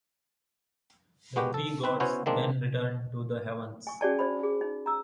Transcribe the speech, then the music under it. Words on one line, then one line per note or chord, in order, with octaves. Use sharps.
The three gods then returned to the heavens.
G#3 B3 F#4 G4
A4
C4 B4
B3 C#4 E4 F#4 C5 C#5
D#3 G#3 A#3 C4 D4
G#5 C#6
C#4 F#4 G#4 D5 G#5 A5
D4 C5 B5
G#4
D#4
A#5 E6